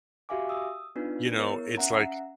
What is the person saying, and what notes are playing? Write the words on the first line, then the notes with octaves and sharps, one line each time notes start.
you know, it's, like,
F#4 G4 E5 F5 G#5 D6
D#6 E6
B3 D4 D#4 F4 B4
B3 E4 A#4 C#5
C#4 E5 F#5 A#5